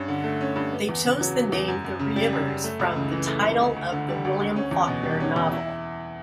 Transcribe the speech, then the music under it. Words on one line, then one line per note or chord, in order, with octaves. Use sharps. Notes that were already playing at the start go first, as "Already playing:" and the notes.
They chose the name "The Reivers" from the title of the William Faulkner novel.
Already playing: G2 C#4
D3
A3
C#4
G2
B3
E2
C#3
F#3
B3
E2
F#2
F#2
C#3
G3
F#2
F#2
A3
C#2
C#3
E3
A3
C#2
D2
D2
D3
G3
D2
D2
C#4
E2
B2
G3
C#4
E2
E4